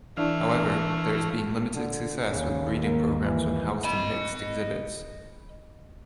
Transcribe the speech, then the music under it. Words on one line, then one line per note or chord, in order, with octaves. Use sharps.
However, there has been limited success with breeding programs when housed in mixed exhibits.
E3 A3 D4 E4 D5 F5
D3
D#2 C#3
A#3
E3
D#5 B5